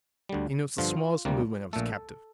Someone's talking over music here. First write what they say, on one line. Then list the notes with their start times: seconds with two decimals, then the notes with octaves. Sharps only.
He notes the smallest movement of his captive.
0.29 D2 D3 G3
0.78 G2 D3 F3 F4
1.25 D2 C3 G3 A#3
1.73 A#1 A#2 A3 A4